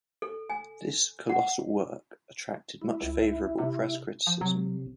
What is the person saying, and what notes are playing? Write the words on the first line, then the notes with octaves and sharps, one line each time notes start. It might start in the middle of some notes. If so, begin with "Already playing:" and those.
This "colossal work" attracted much favourable press criticism.
A4
G#5
F#5
E4
C#2
C3
F3
C3 F#3